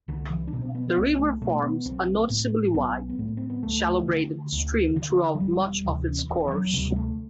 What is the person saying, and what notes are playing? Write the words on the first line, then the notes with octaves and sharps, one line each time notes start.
The river forms a noticeably wide, shallow braided stream throughout much of its course.
C2 D3
E3
D4
B2
C4
B3
C2 B3
A3
B2 A3
A3
B3
B1 C4
A2
B1 B3
B3
A2 A3
C4
B3
D2 A3
D3
D2
D3
F#3
E1 G3
D2 C3 E3
E1
E3
F#3
D2 C3 G3
A3